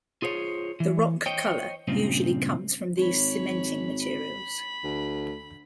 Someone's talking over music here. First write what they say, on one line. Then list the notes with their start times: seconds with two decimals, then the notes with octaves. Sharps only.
The rock color usually comes from these cementing materials.
0.22 F4 G#4 C5 C#5
0.80 E3
1.26 C5 C#5 D#5 G5
1.88 G2 A#2 C#3 C4
2.97 G#1 C#5 B5
4.00 B5
4.84 D2